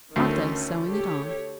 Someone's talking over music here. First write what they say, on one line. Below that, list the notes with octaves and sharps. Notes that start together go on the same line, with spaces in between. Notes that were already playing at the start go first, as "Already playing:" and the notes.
"Martha is sewing it on."
D2 D#3 A3 C#4
G4 A4 C#5